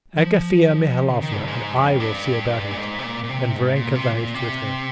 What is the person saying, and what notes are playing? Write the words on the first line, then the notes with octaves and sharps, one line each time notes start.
"Agafea Mihalovna and I will see about it," and Varenka vanished with her.
F3
C#3
D#3
G2
G#2
F2
G2
A#2
G#2
C3
A#2
A#2
C3
G#2
A#2
C3
A#2
C3